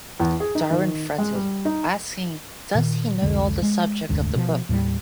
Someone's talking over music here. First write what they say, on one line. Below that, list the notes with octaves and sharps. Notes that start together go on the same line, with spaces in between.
Darwin fretted, asking Does he know all the subject of the book?
E2
G#4
D#4
D#3
G#3
G3
D#4
A#2 D#3
C2 F2 D3 G#3
G#3
F1 D2 G#2
B2 F3
D#2 A2 E3 G3